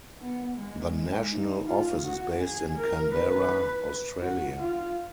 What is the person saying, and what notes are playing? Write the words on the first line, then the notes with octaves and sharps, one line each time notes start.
The national office is based in Canberra, Australia.
B3
G#3
G#3
D#4
F4
F#4
G#4
A#4
B4
F#4
F4